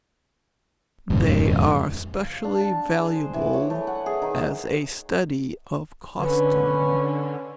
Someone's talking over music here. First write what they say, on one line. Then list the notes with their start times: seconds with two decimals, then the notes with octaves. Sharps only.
They are specially valuable as a study of costume.
1.10 D#1 F2 G#2 C#3
2.14 F5
2.44 D4
2.61 A5
2.98 G#4
3.15 C5
3.34 E3
3.53 C#5
3.70 A3
3.87 F#5
4.06 G#4
4.22 D#3
6.19 D3 C#4 B4